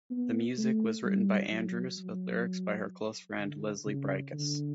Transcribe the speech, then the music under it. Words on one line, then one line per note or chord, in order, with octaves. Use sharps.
The music was written by Andrews with lyrics by her close friend Leslie Bricusse.
B3
A3
G3
F#3
F#3
D3
C#3
D3